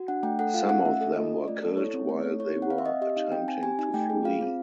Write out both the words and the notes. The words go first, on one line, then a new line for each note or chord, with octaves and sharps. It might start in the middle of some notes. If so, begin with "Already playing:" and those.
Some of them were killed while they were attempting to flee.
Already playing: F#4
D4 F#5
A3 G5
A4 F#5
F4 F5
C#4 F#5
A3 E5
A4
F4 D#5
C#4
A3 D5
A4
E4 C#5
C4
A3 C#5
A4
E4 C#5
C4
F#5
C4 F5
E5
C4 D#5
G4 D#5
D#4 F5
C4 G5
C4 G#5
G4 G#5
D#4 G#5
A3 G5
G#4
F4 F5
C4